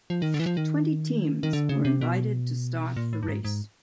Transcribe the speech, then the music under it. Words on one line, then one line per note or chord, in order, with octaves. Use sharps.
Twenty teams were invited to start the race.
F3
D#3
D3
E3
F3
D#3
D#3
D3
C#3
C3
B2
A#2
A2
G2
G#2
G#2